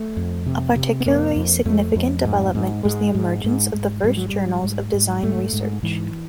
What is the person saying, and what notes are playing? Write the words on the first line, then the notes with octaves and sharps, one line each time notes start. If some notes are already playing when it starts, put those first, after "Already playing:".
A particularly significant development was the emergence of the first journals of design research.
Already playing: A3
F2
C3
C3
B3
F2 A#3
F2
F2 A3
F2
G#2
G#2
G#2 G#3
G#2
G#2
G#2
G#2 G3
F#3
G#2 G3
G#2
G#2
G#2 A3
G#2
G#2 E3